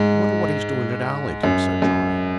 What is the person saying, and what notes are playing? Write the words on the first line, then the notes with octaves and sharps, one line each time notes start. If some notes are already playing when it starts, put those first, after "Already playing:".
"I wonder what he's doing at Allington?" said Johnny.
Already playing: G#2
F#2
F#2